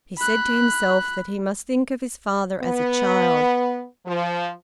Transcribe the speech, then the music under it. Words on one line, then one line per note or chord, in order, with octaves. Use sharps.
He said to himself that he must think of his father as a child.
B5 F#6
B3
F3